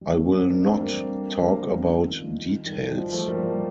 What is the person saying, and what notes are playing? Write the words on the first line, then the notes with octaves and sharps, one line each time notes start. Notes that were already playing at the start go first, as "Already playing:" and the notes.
I will not talk about details.
G3
A3
A#3
C4
A#3 D4
A3 C4
G3 A#3
C4
G3 A#3
A#3 D4
F3 A3
F3
D#3 G3
D#3 G3
F3
G3
F3
F3 A3
G3 A#3
G3 A#3